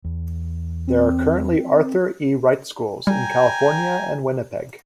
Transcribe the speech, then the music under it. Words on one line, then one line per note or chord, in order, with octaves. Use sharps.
There are currently Arthur E. Wright schools in California and Winnipeg.
E2
C4
G3 G5 G#5 A#5